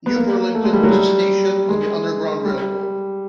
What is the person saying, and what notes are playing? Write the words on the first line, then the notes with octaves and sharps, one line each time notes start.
New Burlington was a "station" on the Underground Railroad.
B3
A#3
A3
G#3
G3
F#3
G3
G#3
G3